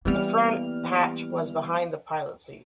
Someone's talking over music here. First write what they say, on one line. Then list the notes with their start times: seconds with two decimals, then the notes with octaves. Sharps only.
The front hatch was behind the pilot's seat.
0.05 E3 G3 A#3 B3 F6